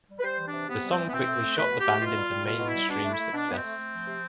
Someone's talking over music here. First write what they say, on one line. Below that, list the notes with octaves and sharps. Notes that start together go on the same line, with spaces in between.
The song quickly shot the band into mainstream success.
G3
B4
G3 C5
E3
D4
C3
C3 B3
G3
C4
E3
B3
B2 C4
A3
A3
B2 B4
B2
G4
A3
B2 F4
G3
G3
B2 F4
B2
E4
G3
B2 D4
A3
E4
A3
B2 D4
B2 B3
C4
A3
A3
F3
C3